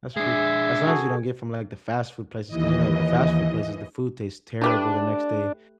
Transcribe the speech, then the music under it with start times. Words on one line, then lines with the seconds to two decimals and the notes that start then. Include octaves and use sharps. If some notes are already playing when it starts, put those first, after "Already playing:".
That's true, as long as you don't get from, like, the fast food places, ‘cause, you know, the fast food places, the food tastes terrible the next day,
0.16 G#3 D4 G#4 E5 G#5
0.87 F#4 G#4 A4
2.48 D#2 E3 D#5
4.61 A3 D4 G4 B4